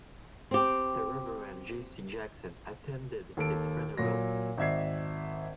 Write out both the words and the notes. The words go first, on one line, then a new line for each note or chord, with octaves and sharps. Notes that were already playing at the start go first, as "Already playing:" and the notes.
The Reverend Jesse Jackson attended his funeral.
C4 G4
D#2 A4 D7
A#2 F#3 A#6
G#1 D5 E5 G#6 C7